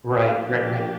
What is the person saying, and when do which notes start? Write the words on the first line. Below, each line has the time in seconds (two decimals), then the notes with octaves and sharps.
Right. Right. Right.
0.25 A#2 F3 D4 G4 F5
0.75 G5